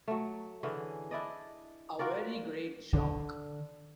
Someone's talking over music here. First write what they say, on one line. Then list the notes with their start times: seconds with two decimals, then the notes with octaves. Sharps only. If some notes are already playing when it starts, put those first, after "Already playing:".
A very great shock.
0.08 F#3 A3
0.63 D3 E3 C#4 G#4
1.11 D4 E4 D5 D#5
1.99 F4 F#4 A#4 D5
2.93 D3